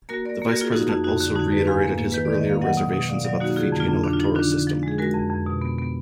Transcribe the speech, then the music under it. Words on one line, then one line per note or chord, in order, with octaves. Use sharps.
The Vice-President also reiterated his earlier reservations about the Fijian electoral system.
A#3 F#4 A#4
A#3 A#4 D5
A#3
F#4 A#4
A#3 F4 G#4
F3 D#4 F#4
F2 D#4 F#4
F2 D#4 F#4
D3
F2 D#4 F#4
F2 G#4 B4
G#2 F5 G#5
A#3
A#3
D#3 B4
D#3 D5
D#5
A#3 F5
F#3 D#5 F#5
B2
B2
B2 D5 F5
F#3 D5 F5
A#3 D#4 F#4
D3 F4 G#4
F2
D4 F4
F2
D3 D4
F4
F3 D#4
D3 D4 F4
D3
F3
G#3 G#4
G#3 F#4 A#4
F2
F2
B2
B3
B3